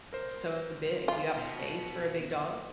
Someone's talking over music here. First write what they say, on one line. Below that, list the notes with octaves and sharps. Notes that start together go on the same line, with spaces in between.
so big? Do you have space for a big dog?
A#4 C5
F4
B2